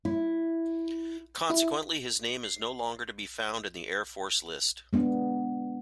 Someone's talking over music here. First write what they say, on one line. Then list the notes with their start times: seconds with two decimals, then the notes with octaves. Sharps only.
Consequently, his name is no longer to be found in the Air Force List.
0.05 E4
1.50 E4
4.93 G#3 B3 D4